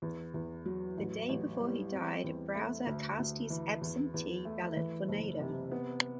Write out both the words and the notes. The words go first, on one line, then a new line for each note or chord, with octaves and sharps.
The day before he died, Brower cast his absentee ballot for Nader.
E2
E2
F#3
A1
A1
G3
C4
E2
A3
D2
D2
E3
E2
E2
A3
E3
F#1
C3
B3